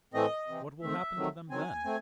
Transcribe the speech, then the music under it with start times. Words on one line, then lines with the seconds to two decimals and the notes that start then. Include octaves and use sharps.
What will happen to them then?
0.14 A2 E3 A3 C4 D#5
0.47 C3 E3 C4
0.81 D#3 A3 C4 E5
1.16 C3 D#3 F#3 A3
1.50 D#3 F#3 C4 G#5
1.85 A3 C4